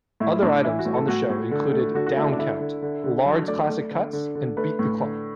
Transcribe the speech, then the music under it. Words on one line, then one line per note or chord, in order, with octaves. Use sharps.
Other items on the show included "Downcount", "Lard's Classic Cuts" and "Beat the Clock".
A2 E4
A2 D4
E3 E4
F#4
A2
A4
A2 F#4
A2
D3
A3
D3 F#4
F#4
A3 E4
D4
D3 E4
D3
D3
D3
F#3 A4
A3 D5
A3
D3
D3
D3
A3 B4
A2
D3